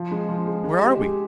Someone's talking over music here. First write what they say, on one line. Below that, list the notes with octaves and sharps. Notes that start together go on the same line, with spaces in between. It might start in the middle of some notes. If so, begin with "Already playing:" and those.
"Where are we?"
Already playing: F3
G#3
F3
G#3
G#3
G4
G#3